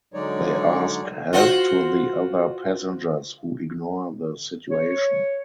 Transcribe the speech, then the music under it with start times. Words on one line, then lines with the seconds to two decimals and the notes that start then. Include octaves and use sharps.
They ask help to the other passengers who ignore the situation.
0.14 D3 F#3 G#3 D#4 C#5 D5
1.33 F4 F#4 C5
4.70 C#5